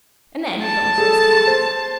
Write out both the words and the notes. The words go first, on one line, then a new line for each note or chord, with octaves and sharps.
And then he 'phoned for his cab.
A5
G#4 A4
C5